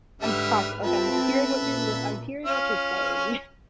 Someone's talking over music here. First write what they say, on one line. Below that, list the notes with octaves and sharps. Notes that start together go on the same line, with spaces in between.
I'm proc like I'm hearing what you're l I'm hearing what you're saying,
G#2 D3 G3 B4 E5 F6
C4 F4 A4 B4 E5 A5
C#4
A#2
C#4 F4 F6